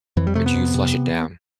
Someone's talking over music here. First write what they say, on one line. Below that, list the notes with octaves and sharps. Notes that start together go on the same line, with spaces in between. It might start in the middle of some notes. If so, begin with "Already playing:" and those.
or do you flush it down?
F2 E3
G3
C3 A3
B3
F2
C3